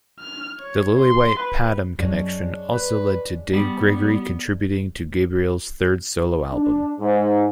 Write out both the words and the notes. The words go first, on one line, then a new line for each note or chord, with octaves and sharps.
The Lillywhite-Padgham connection also led to Dave Gregory contributing to Gabriel's third solo album.
F6
C#5
C6
B4
F#2 G#3 C#4 D4
B4
G3 B3
D4
G#2